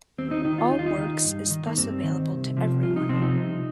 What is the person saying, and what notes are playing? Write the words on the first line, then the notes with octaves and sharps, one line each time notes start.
All works is thus available to everyone.
D#2 C4
D#4
D#3 D#4
F4
D#2 D#4
F4
D#4
D#3
G2
D#3
A#3
G2 C4
D#3
C2
C3 F3
C2 F4
D#4
C3 F3 C4
D#4
C2